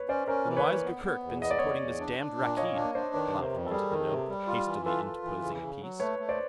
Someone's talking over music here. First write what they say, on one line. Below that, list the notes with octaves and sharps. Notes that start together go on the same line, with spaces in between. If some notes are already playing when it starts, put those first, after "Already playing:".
"Then why's Gurgurk been supporting this damned Rakkeed?" Blount wanted to know, hastily interposing a piece.
Already playing: B4 C#5
C#4 C5 D5
C#4 A#4 C5
E3
B4 C#5
E3
B3
B3
E2
B3 D#5
D5
E2 C#5 D#5
E2
D4
D4
A#2
A#3 C#5 D#5
D4
D4 C5 D5
D#3 B4 C#5
C3
A#4 C5
F2
A4
G3 G#4 A#4
D#3 A#4
G4 A4
C3
G3
F4
E3
F4 A4 B4
F4
E3
C#3
C#3
F#3
A3 B4 C#5
A3
C5 D5